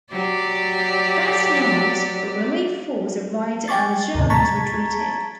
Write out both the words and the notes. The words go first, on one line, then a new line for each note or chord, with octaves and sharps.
That night, a relief force arrived and the Germans retreated.
F#3 G4 D5
G5 G#5 C#6 D6 A6
D#2 A2 C3
A5 A#5 C#6 G#6 A6 B6